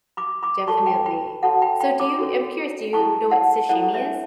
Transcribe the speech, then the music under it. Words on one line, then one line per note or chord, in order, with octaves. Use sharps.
definitely, so do you I'm curious, do you know what sashimi is?
B5 D6
B5 D6
F#4 A4 C#5 A5 C#6
G5 B5
G5 B5
F#4 A4 C#5 F#5 A5
G5 B5
G5 B5
B5 D6
F#4 A4 C#5
C#4 E4 A4 A5 C#6
F#5 A5
C#4 E4 A4 D5 F#5
C#5 E5